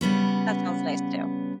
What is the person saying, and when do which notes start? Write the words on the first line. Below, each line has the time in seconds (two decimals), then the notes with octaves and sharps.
That sounds nice too.
0.01 C#3 G3 B3 C#4